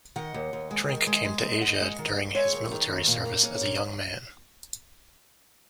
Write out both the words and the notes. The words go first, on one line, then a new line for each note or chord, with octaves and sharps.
Trink came to Asia during his military service as a young man.
D#3 D#5 F#5
D#2
D#2
G#3
D#3
G#3
G#3
D#2
D#2 D#5 F#5
G#3
D#3
D#2
G#3 C#5 E5
D#2
D#3
D#2
A#2
A#3
C#4
A#2